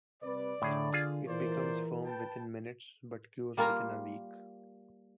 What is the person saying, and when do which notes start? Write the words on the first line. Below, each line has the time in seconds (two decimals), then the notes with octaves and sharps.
It becomes firm within minutes but cures within a week.
0.23 C3 G3 B4 D5
0.62 A2 D3 G#4
0.93 F4 G#4
1.27 A#2 E3 A#4 C5 D5
2.04 B4 G5 A5
3.57 G3 A#3 F4 A#4 G#5 A#5